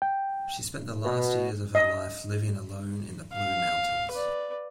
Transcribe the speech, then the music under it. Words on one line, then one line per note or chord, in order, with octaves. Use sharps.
She spent the last years of her life living alone in the Blue Mountains.
G5
B2
D#5
F5
B4 D5